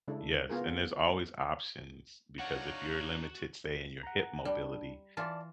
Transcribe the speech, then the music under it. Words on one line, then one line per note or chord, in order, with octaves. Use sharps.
Yes, and there's always options, because if you're limited, say in your hip mobility,
C#3 G#3 D4 E4 A4
B3 F4 G#4 A#4
D4 D#4 F#4 C#5 F5 F#5 C#6
F#5 A#5
G3 D4
E3 F4 D5 A5